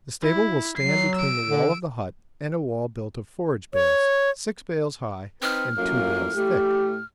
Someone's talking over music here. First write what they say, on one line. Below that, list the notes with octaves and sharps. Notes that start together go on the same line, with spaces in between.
The stable will stand between the wall of the hut and a wall built of forage bales, six bales high and two bales thick.
E4
F#3 C7
E6 D7
D3
C#5
C4 D#4 B4 F6
F#2 A2 A#3 F4
A2 A3 G4